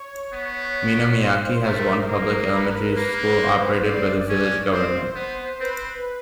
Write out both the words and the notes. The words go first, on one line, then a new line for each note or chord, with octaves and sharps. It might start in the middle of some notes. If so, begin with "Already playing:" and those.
Minamiaiki has one public elementary school operated by the village government.
Already playing: C#5
B3
C5
A3 A#4
A#3
B4
A#3
C5
C4 D5
C#4
C4 C5
B3
C4 B4